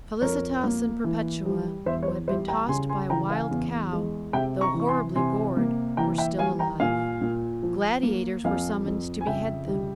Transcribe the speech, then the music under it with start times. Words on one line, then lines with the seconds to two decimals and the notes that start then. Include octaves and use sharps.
Felicitas and Perpetua, who had been tossed by a wild cow, though horribly gored, were still alive. Gladiators were summoned to behead them.
0.21 F2 A#4 C#5
0.64 A#3
1.04 E3
1.45 G3
1.86 E2 C5 E5
2.03 C#5
2.08 C5
2.28 G3 C5 E5
2.48 G5 A#5
2.68 C#3 G#5 C6
2.89 G#5 C6
3.10 E3 G5 A#5
3.30 F5 G#5
3.51 E2
3.92 G#3
4.33 C3 E5 G5
4.61 A#5 C#6
4.74 E3
4.80 C#6
4.88 G#5 C6
5.16 C3 G#5 C6
5.57 A#3
5.97 E3 G5 A#5
6.18 E5 G5
6.39 G3 F5 G#5
6.59 G5 A#5
6.80 A#2 F5 G#5
7.21 A#2
7.63 F3
8.03 A#3
8.44 F2 F5 G#5
8.86 F2
9.21 G#5
9.27 C#3 E5 G5
9.68 G3